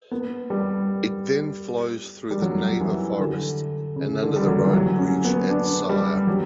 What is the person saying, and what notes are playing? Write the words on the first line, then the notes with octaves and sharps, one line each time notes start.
It then flows through the Naver Forest and under the road bridge at Syre.
B3
G3
G3
F#3
E3
D3
C#3
D3
G3
F#3
E3
F#3
C#4
B3
D4
G3
F#3